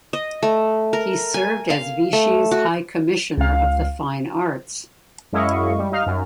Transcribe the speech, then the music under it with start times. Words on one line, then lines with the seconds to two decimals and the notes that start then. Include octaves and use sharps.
He served as Vichy's High Commissioner of the Fine Arts.
0.13 D#5
0.43 A3
0.93 A#4
1.34 G#5
1.70 F5
2.13 A3
2.51 F#4
3.37 C#2 F5
5.33 F#2 G#3 E4 D#5 F5 C#6
5.78 G3
5.92 D#4 F5 F6
6.06 F#2